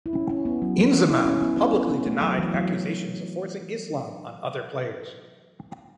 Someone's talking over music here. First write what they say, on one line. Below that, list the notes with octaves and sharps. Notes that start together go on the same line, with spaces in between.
Inzamam publicly denied accusations of forcing Islam on other players.
E4
C#4
C#4
B3
F#3
B3
C#4
E4
C#4
B3
C#4
B3
B3
A3
F#3
E3
F#3